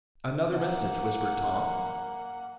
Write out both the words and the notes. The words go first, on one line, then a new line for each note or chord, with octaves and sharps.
"Another message," whispered Tom.
A#3 F#5